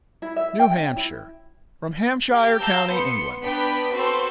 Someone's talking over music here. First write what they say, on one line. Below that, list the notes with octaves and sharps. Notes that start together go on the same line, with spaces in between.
New Hampshire--From Hampshire county, England.
E4
E5
G5
C#4
E4
G4
F5 A5 A#5 E6 G6
B3 C6 C#7
B3 D4 B4 G5 F#6 B6
C4 F#4 A4 B4 C5